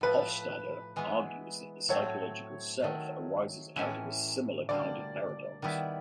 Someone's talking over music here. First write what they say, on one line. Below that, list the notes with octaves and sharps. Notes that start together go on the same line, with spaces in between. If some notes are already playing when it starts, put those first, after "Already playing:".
Hofstadter argues that the psychological self arises out of a similar kind of paradox.
A2 F3 A3 B4
E3 G#3 B3
A2 F#3 A3 C4 C#5
D#3 F#3 A3
A2 E3 G#3 C#4 E4
D3 G3 A#3 D5
D#3 G3 B3 E4